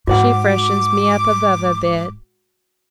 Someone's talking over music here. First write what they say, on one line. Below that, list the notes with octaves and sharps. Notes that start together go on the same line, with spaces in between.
She freshens me up above a bit.
G#2 F#4 C5 F#5 D6